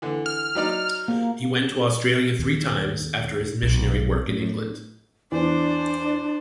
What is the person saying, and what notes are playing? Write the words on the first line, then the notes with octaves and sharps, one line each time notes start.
He went to Australia three times after his missionary work in England.
D3 E3
F6
F#3 D#4 D5
A#3
D#2
B1
A2
E2 D4 C5 D5